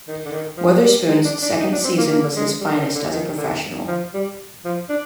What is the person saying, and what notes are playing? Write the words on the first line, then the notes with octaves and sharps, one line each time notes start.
Weatherspoon's second season was his finest as a professional.
D#3
D3
D#3
F3
G3
G#3
D4
D4
D#4
D4
C4
A#3
A#3
G#3
G3
D#3
D3
D#3
D3
F3
G3
F3
D4